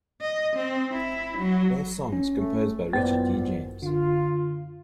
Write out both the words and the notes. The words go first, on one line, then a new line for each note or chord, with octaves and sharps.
All songs composed by Richard D. James.
D#5
C4
E4
F#3
C#4
A3
F#2 A#2 F#3 B3 C5 D5
D3 F4